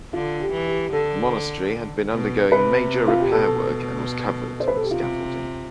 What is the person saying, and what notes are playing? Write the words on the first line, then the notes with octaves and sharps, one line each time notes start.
The monastery had been undergoing major repair work and was covered in scaffolding.
D3 F4
G4
E3
G4
D3 A4
B2
C3 B4
F4
G4
B2 A4
C5
B4
A4
G4
C3 F4